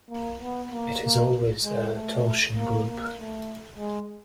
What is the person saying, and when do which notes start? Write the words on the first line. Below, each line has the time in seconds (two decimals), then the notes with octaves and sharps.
It is always a torsion group.
0.10 A#3
0.41 B3
0.72 A#3
1.02 A#3
1.64 G#3
1.94 A3
2.56 A#3
2.87 A#3
3.17 A3
3.78 G#3